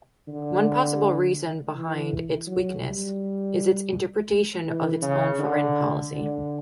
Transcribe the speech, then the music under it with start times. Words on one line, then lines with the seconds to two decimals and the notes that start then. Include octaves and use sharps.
One possible reason behind its weakness is its interpretation of its own foreign policy.
0.28 D3
1.74 E3
2.47 F#3
2.83 G3
4.65 E3
5.02 C#3
5.39 D3
6.11 D3